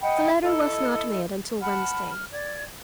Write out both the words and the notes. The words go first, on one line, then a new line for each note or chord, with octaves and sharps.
The letter was not mailed until Wednesday.
D#5 F#5 G5 B5
E4 A4 D#5
F#5 A5 B5 F6
F6
D5 G#6